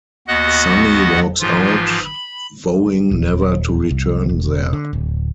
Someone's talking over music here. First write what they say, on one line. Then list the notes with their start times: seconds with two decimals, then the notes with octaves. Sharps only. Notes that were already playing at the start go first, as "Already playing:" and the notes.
Sonny walks out, vowing never to return there.
0.28 D#2 B3 F#4 D#5 F#5 F#6
1.40 G#2 E3 F3 F4
2.05 B5
3.11 D#1
3.91 C2
4.29 E1
4.73 D3
4.93 D1